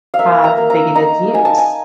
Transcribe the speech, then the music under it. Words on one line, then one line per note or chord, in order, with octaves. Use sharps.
have bigoted views,
F5
A#3 E5
A#5
A#3
A#5
D#4 A#5
D#4 G#5
A5
G#5